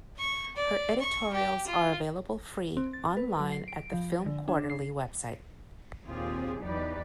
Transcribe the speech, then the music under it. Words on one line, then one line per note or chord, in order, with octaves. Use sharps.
Her editorials are available free online at the "Film Quarterly" website.
C#6
D5
C#6
G4
F4
C4
A6
B4
F#3
C7
D7
F3
D3
D4
C7
D#2 A#2 C4 F4 G4 G#4
E2 F#3 D#4 G4 B4 D5